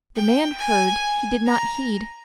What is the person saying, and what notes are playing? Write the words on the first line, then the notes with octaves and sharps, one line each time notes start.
If the man heard, he did not heed.
G5
G#5
A#5